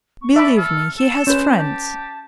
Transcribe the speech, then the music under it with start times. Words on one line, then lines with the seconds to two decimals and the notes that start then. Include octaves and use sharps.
Believe me, he has friends.
0.21 C#6
0.36 D5 E5 A5 B5
0.57 A4 F6
0.98 A4 E7
1.27 C#4 B4 C5
1.57 G4 A5